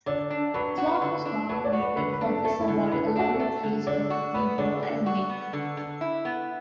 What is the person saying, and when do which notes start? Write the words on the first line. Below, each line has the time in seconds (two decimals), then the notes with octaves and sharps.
Flock was nominated for this award along with Facebook, Bebo and Ning.
0.06 D3 D5
0.30 D4
0.54 F#3 B4
0.78 F#4
1.02 D3
1.25 D4
1.49 F#3 B4
1.65 D5
1.73 F#4
1.81 B4
1.96 D3 B4
2.13 B4
2.21 D4
2.29 A4
2.45 A3 A4
2.60 E4
2.68 D3
2.76 E4
2.91 D3 B4
3.06 A4
3.16 D4 F#4
3.33 A4
3.40 A3
3.63 D3
3.87 D3 D5
4.10 F#4
4.34 B3 B4
4.58 D3 D5
4.82 D3
5.06 F#4
5.29 B3
5.53 D3
5.77 D3
6.01 E4
6.25 B3